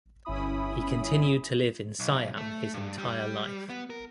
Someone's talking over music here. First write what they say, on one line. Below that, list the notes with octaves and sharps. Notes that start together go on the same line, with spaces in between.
He continued to live in Siam his entire life.
G1 C#4 E4 B5 D#6
B1
A3
G2
G3
B3
A#4